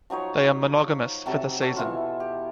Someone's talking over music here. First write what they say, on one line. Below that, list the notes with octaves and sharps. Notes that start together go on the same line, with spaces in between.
They are monogamous for the season.
F3 F#3 D#4 C#5
C3 F#3 A4 A5
F#4 A4
B2 E3 E4 F4
G4